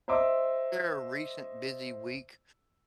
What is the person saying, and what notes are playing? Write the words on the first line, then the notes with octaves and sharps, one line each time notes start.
There a recent busy week
C5 D#5 E5 C6 D6 E6